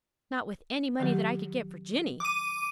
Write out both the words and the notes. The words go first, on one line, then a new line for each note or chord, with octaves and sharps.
"Not with any money that I could get for Jinny."
D#3 F#3 G4
D6 D#7